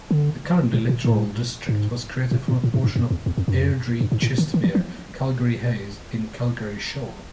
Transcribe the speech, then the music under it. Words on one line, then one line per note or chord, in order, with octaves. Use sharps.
The current electoral district was created from a portion of Airdrie-Chestermere, Calgary-Hays and Calgary-Shaw.
D3
A2
A#2
A2
G#2
A2
A2
A2
G#2
G2
F#2
E2
E2
F2
F#2
F2
F#2
G2
G#2
A2
D#3
D#3
E3
F3